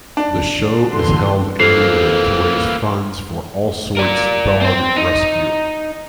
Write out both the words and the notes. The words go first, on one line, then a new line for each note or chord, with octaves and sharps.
The show is held annually to raise funds for Allsorts Dog Rescue.
D4
D3 E3 C6
F2 E3 A#3 C7
A#4 D5
C4 C5
D#4